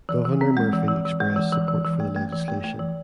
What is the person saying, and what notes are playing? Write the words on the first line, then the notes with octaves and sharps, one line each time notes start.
Governor Murphy expressed support for the legislation.
E3
E3
C4
G#3
E3
E3
E3
G#3
E3
E3
E3
E3
A3
A3
E3
A3
A3
E3